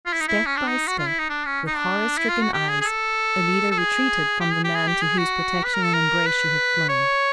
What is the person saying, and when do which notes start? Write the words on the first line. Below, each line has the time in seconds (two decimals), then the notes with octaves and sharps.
Step by step, with horror-stricken eyes, Alida retreated from the man to whose protection and embrace she had flown.
0.06 F4
0.13 E4
0.21 D#4
0.28 E4
0.46 C#4
0.57 D4
0.68 D#4
0.87 F#4
0.98 F4
1.08 E4
1.19 D#4
1.29 D4
1.45 C#4
1.67 D#4
1.77 D4
2.18 E4
2.29 F4
2.42 F#4
2.54 G4
2.69 G#4
2.81 G#4
2.84 A4
3.71 A4
3.78 G#4
4.40 G4
4.52 G#4
4.64 G4
4.75 G#4
4.87 G4
5.02 G#4
5.18 F#4
5.64 B4
5.74 A#4
5.83 A4
5.93 A#4
6.26 B4
6.89 C#5